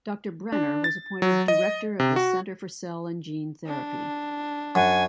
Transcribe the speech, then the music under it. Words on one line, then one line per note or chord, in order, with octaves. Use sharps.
Doctor Brenner was appointed Director of the Center for Cell and Gene Therapy.
D4
A6
F#3
D#5
C3
F#4
D4
F#2 F#5 G#5